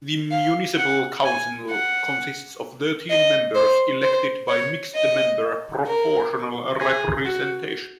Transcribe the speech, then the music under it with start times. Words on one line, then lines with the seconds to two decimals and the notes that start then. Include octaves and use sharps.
The municipal council consists of thirteen members elected by mixed-member proportional representation.
0.31 F5
0.78 F#5
1.25 G#5
1.71 F#5
3.10 D#5
3.55 C5
4.02 C5
4.49 C#5
4.95 D#5
5.87 A#4
6.80 G#4
7.26 F#4